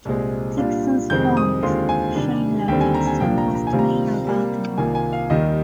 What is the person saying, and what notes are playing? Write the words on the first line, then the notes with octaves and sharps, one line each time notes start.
Dixon's aunt, Sheila Dixon, was the mayor of Baltimore.
C2 A#2 G#3 C4
A#2 G3 D4 F4
F2 C3 D#3 G#3 C4 G6
D#6
D#2 D3 G#3 C4 F4 C6
G#5
C3 D#3 G3 D4
D#2 D3 G3 C4 G5
G#5
A#5
G#5
C2 A#2 F3 A#3 D4 G5
A#5
A#5
G#5
C3 D#3 G3 C4 F4
A#5
C3 G3 A#3
C2 C3 D#3 A#3 F4 G#5
G#5
F5
D#2 D#3 G3 D#5